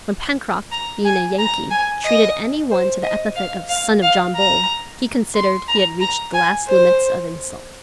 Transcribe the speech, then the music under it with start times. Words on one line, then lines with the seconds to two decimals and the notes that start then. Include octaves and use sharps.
When Pencroft, being a Yankee, treated any one to the epithet of "son of John Bull," he considered he had reached the last limits of insult.
0.72 A#5
1.04 G#5
1.38 A#5
1.70 G#5
2.05 D#5
2.71 C5
3.03 D#5
3.36 F5
3.69 F5
4.02 F5
4.36 A#5
5.35 C6
5.68 A#5
6.00 A#5
6.34 G#5
6.67 C5